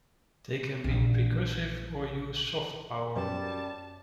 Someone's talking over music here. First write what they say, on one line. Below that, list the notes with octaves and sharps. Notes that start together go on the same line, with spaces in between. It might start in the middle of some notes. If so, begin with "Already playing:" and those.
They can be percussive or use "soft" power.
A#1 E3
F#2 C3 F3 G3 B3 A5